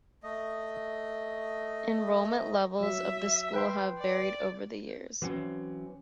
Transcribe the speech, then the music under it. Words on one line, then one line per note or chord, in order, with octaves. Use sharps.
Enrollment levels of the school have varied over the years.
A3 D#5
F#3 E5
B4 G5 C6
D5
E3 F#3 C4 C#4